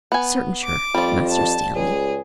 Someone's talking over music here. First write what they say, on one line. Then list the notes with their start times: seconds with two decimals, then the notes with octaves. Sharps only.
'Certain sure, Master Stanley.'
0.12 B3 G#5
0.64 D6
0.94 F2 F3 G3
1.29 A5
1.75 C#2 G#4